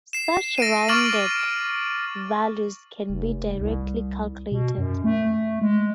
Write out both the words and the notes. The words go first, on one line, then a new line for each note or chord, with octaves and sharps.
Such "rounded" values can be directly calculated.
C7 E7
A#6 D7 D#7
C#6 D6 F6 A6 A#6 F#7
F1
C2
B2
F#2
A3
G#3